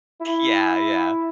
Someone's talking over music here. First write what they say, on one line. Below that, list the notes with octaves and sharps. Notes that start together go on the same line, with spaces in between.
Yeah, yeah.
E4